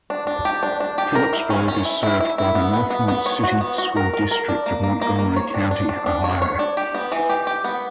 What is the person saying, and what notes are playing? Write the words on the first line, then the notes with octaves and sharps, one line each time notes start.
Phillipsburg is served by the Northmont City School District of Montgomery County, Ohio.
D4
D4
G4
D4
D4
G4
A#4
E4
C#4
C#4
E4
E4
E4
E4
B3
B3
B3
B3
C#5
F#4
B3
F#4
A#4
A#4
A#4
D4
A#3
A#3
A#3
A#3
C#5
D4
D4
D4
D4
C#5
C#5
D4
G4
B3
E3
G4
G4
B3